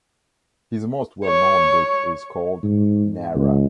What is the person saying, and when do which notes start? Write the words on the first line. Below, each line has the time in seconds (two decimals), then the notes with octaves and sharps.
His most well-known book is called "Nara".
1.25 C#5
2.63 G#2
3.35 C#2